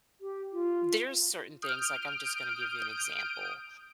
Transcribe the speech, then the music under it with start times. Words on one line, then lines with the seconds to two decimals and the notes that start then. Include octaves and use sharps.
there's certain things like, I'm just gonna give you an example.
0.21 G4
0.53 F4
1.62 D#6 F6 G6 D7